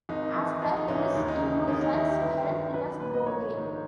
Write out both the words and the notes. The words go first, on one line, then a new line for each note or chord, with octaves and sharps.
After "Miss Innocence", Held left Broadway.
G#1 D#4
G#2 E3
A#1 D#4
D#4
G#2 E3 C#4
D#2 D#4
D#4
C#3 E3 D#4
D#4
D#2 C#4
D#4
D#3 E4
G4
G1 E4
G2 D#3
B1 B4
A#2 B4
D#5
A#1 C#5
G#2 D#3